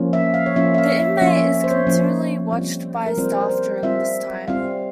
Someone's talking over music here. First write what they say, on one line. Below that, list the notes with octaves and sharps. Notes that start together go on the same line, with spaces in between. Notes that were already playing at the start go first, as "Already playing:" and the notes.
The inmate is continually watched by staff during this time.
Already playing: F3 A#3 C#4 F4
E5
F5
C#5
F3 A#3 C#4 F4 E5
E5
F5
E5
C#5
F3 A#3 C#4 F4 E5
E5
E5
C5
C#5
F3 A#3 C#4 F4
G3 C4 F4
A#4
G3 C4 F4 C5
A#4
C5
G3 C4 F4 E5
G3 C4 F4 F5